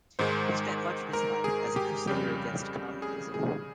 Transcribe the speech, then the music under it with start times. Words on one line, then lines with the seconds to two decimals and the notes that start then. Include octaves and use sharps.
He spent much of his life as a crusader against communism.
0.19 G#2 D#3 G#3 C5
1.13 A#4
1.44 G#4
1.76 G4
2.07 F2 C#3 G3 G4
3.02 G#4
3.34 G#4